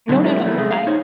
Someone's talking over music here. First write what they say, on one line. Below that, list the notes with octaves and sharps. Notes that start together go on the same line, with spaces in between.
No, no, no, you're fine.
D3 D#3 F#3 G3 C4
F#3 G#3 E4 F4 G4 A#4
E3 G3 A3 A#3
C3 G#3 A3
F5
D#4 C5 C#5